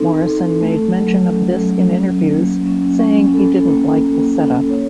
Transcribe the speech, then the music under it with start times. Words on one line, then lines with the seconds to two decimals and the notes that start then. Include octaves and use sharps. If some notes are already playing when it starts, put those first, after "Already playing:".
Morrison made mention of this in interviews, saying he didn't like the setup.
Already playing: C4 D#4 A4
0.26 A4
0.60 A3
0.95 F#3
1.29 C#4
1.64 F#3
1.97 C#4
2.31 A#3
2.66 C#4
2.99 C#4
3.34 A4
3.68 A#3
4.03 A#3
4.37 A4
4.70 C#5